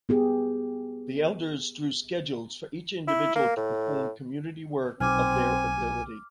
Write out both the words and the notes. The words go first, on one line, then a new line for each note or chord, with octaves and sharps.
The elders draw schedules for each individual to perform community work of their ability.
B3 G4 G#4
E4
A#3
A2
B1 C4 G#5 D6 F6